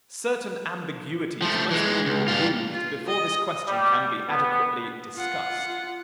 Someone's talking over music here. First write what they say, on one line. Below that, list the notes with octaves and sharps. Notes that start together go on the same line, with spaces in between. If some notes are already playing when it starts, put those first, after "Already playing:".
Certain ambiguities must be removed before this question can be adequately discussed.
F3 A3
E3 G#3
C#2
G2 F4
F4
D#5
G3
B3
F4 F#5